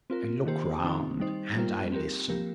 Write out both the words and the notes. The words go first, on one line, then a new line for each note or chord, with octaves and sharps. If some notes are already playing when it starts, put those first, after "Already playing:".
I look round and I listen.
C4 F4 A#4
D#3 A#3 G4 C5
D#3 C4 D#4
G3 D#4 C5
G3 A#3 F4 A#4
C4 G4 A#4
F3 A#3 G4 A#4